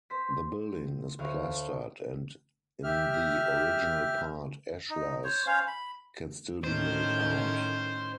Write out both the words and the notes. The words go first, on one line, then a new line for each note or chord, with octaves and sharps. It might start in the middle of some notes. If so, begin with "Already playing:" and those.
The building is plastered and in the original part ashlars can still be made out.
C5 C6 B6
D2 C#5 F5
G4 E5 F6
D#4
C5 C#5
C#4 C5 C#5 F5
B5
A2 D#3 C#4 C5